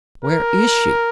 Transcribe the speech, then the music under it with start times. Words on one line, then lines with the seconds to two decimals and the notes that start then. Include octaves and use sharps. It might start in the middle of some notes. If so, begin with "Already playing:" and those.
"Where is she?"
0.24 A#4